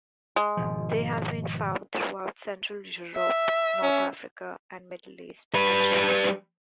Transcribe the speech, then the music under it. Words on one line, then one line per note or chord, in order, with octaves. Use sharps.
They have been found throughout central Europe, North Africa, the Middle East and China.
G#3
G#1 B2 F3
E5
C#4
G3 B4